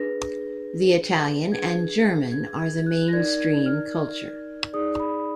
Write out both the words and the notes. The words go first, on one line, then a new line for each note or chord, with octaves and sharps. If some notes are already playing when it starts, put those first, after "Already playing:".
The Italian and German are the mainstream culture.
Already playing: D4 G#4 B4 A#6
D4 G#4 B4 G#6
G#6
G#6
F#6
A#6
D#4 A#4 D5 G#6
G#6
F6
D#4 G#4 D5 D#6
B5